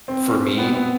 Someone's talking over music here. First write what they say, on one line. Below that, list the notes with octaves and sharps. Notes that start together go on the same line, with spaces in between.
For me
C4
B3
B3